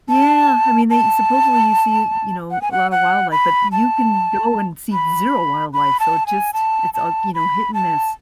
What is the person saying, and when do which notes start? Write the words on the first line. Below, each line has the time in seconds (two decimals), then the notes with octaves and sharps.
Yeah. I mean, they supposedly, you see, you know, a lot of wildlife, but you can go and see zero wildlife, so just it's, uh, you know, hit and miss.
0.09 A5
0.90 A5
2.51 F#5
2.62 G#5
2.72 F#5
2.91 F#5
3.32 B5
3.72 A5
4.93 B5
5.73 B5
6.00 A5
6.27 G#5
6.54 A5
6.94 A5
7.35 B5
7.74 A5